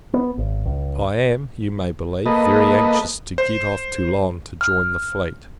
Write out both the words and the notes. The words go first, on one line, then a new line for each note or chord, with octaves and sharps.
I am, you may believe, very anxious to get off Toulon, to join the fleet.
B3
G#1
C#2
A#3 A4 B4 D#5
C5
F6